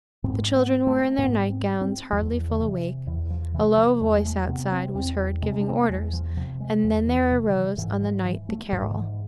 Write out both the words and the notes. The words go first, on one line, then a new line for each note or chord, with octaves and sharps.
The children were in their nightgowns, hardly fully awake; a low voice outside was heard giving orders; and then there arose on the night the carol.
G#2 C4
B3
A3
G#2 B3
C4
C4
E2 F3
D3
C3 E3
E2 E3
F3
C3 E3
F3
E2 G#3
G#3
A3
C3 B3
C4
E2 C4
C3 G#3
D4
C4
B3
A3
E2 G#3
F3
C3 F3
G#3
E2 F3
E3
C3 F3
D3
E3
G#2 E3
F3
E3
A3
G#2 F3
D3
E3